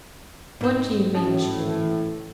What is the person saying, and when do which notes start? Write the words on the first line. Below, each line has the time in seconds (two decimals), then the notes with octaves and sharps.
"What do you mean?" she demanded.
0.61 G#2 C4
1.15 A2 C#4 F#4 A5